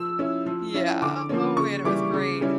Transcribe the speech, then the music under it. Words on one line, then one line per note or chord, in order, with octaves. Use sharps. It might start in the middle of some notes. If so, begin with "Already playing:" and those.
Yeah. Oh, man, it was great.
Already playing: F3 E6
C#4 E4
F3
C#4 E4
D3 D6
F3 A#3 C#4
C#3 C#6
E3 G3 D6
C#3
G3 C#4 E4